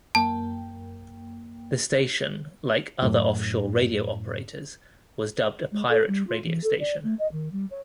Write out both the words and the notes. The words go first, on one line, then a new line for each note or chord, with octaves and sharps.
The station, like other offshore radio operators, was dubbed a pirate radio station.
F#2 A#3 G5 A5
F#2 A2
G#3
A4
G3
F4
E3
A4
D5
A3
D#5
D#3
G3
C#5